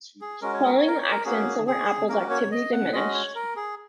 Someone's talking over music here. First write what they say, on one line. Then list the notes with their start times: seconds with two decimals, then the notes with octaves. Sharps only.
Following the accident, Silver Apples' activity diminished.
0.21 G#4
0.41 G#3 C#4 F#4 A#4
0.54 C#5
0.65 A#4
0.77 C#5
0.88 A#4
0.99 C#5
1.11 A#4
1.25 A#3 C#4 F#4 G#4
1.67 G#4
2.09 A#3 C#4 F#4 A#4
2.30 C#5
2.52 D#5
2.72 F#5
2.92 G#3 C#4 F#4 D#5
3.14 C#5
3.35 A#4
3.56 G#4